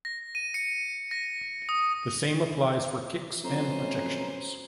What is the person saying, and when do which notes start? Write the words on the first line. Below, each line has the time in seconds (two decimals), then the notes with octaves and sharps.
The same applies for kicks and projections.
0.05 A#6
0.35 D#7
0.54 C#7
1.11 A#6
1.69 D#6
3.44 F2 B2 F#3 A3 C#4 C5 A#5